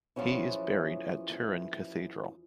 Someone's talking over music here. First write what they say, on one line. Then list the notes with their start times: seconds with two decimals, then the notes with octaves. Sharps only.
He is buried at Turin Cathedral.
0.16 E2 F3 F#3 C#4 E4